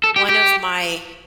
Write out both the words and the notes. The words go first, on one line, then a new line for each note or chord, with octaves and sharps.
one of my
A4
G4
G4